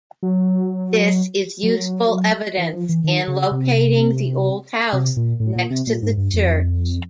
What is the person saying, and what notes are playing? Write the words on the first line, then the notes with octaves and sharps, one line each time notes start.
This is useful evidence in locating the old house next to the church.
F#3
F#3
E3
F3
E3
D#3
C#3
C3
C3
A#2
A2
A#2
C3
A#2
G#2
G2
F2